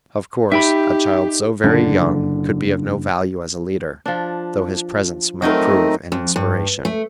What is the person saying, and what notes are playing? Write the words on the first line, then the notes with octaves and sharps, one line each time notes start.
Of course, a child so very young could be of no value as a leader, though his presence might prove an inspiration.
D#4 G4 E5 G5 B5
F#1 D3
F3 D4
F#3 A3 C4 D#4 A#4 D#5
F2
G2
A3